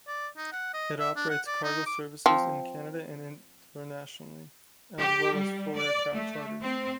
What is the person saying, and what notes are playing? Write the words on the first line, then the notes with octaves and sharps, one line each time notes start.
It operates cargo services in Canada and internationally, as well as full aircraft charters.
D5
D#4
F#5
D#5
E5
D4
F#5
D5
D#4
D6
F3 C4
G4
G3
D5
A3
C4